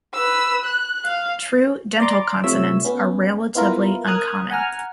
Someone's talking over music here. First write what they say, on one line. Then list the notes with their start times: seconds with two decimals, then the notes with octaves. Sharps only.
True dental consonants are relatively uncommon.
0.14 B4 E6
0.64 F#6
1.05 F5
2.00 D5 A#5 C6 D6
2.44 C3 F3 A3 C#5 E5 E6
2.85 B3 C#4
3.55 B3 E4 F4 A#4
4.07 A#4 D#6 F6 F#6 G#6
4.51 F#5 G#5 A#5 F6